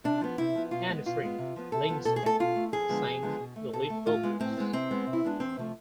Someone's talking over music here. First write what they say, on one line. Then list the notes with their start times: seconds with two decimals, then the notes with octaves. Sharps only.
Anni-Frid Lyngstad sang the lead vocals.
0.04 C3 D4
0.21 F3 B3
0.38 C3 E4
0.55 F3 B3
0.71 B2 F4
0.89 G#3 B3
1.05 B2 F4
1.23 G#3 B3
1.38 C3
1.56 F3 B3
1.72 C3 A4
1.89 F3 B3
2.05 B2 A4
2.16 G#4
2.23 A3 A4
2.40 B2 F4
2.55 A3
2.72 F2 G#4
2.89 D3 F3 G#3 B3
3.07 F2
3.22 D3 F3 G#3 B3
3.39 B2
3.56 A3
3.73 B2 A4
3.90 A3
4.06 A2 F4
4.23 G#3 B3
4.40 A2 C4
4.57 G#3 B3
4.73 C3 C4
4.91 G#3 B3
5.07 C3
5.13 E4
5.24 G#3 B3 D4
5.40 E2 C4
5.57 C3 F3 A3